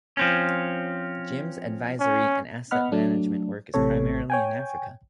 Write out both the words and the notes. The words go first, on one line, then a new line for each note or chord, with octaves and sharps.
Jim's advisory and asset management work is primarily in Africa.
F3 C4 C#4
C#4
B3 D#5 F#5 B5 F6
F#3 A3 D4
A1 A2 C3 A4 C#5
C#5 G5 G#5